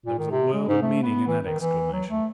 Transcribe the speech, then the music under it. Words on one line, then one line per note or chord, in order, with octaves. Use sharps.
There was a world of meaning in that exclamation.
A#2
D#3
C3
G#3
G#2
A3
B3
E3
D#3
E3
F#3
A3